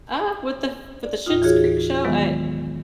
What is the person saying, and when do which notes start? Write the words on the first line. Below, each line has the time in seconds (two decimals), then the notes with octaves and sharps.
Uh, with the f with the Schitt's Creek show, I
1.04 D5
1.26 D#2 A2 D#4 F4
1.42 E3 F4 F#4 G#4 C#5
2.04 D#3 F#3 G#3 B3